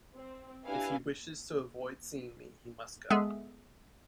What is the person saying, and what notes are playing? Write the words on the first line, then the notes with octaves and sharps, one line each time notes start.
If he wishes to avoid seeing me, he must go.
C4
D4 E4 G4 B4 F5 G#5
G#3 B3 G#4 A4 E5